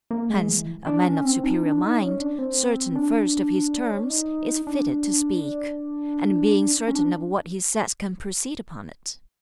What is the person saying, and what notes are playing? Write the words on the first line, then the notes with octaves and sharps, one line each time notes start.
Hence, a man of superior mind, certain first of his terms, is fitted to speak; and being certain of what he says can proceed upon it.
A#3
G#3
E3
D4
C#4
C4
D#4
D4
D#4
C#4
D4
C4
D4
C#4
D4
D#4
D4
C#4
D4